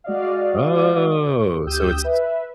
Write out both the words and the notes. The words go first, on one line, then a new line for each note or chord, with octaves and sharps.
Oh, so it's
G#3 F#4 D5 D#5 F5
D2 G4 D#6 E6 G6
B4 E5